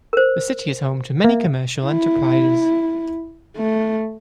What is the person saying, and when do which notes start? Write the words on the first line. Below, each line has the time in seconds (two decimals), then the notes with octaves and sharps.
The city is home to many commercial enterprises.
0.13 A#4 C5
1.24 A#3 E5
1.86 E4
3.57 A3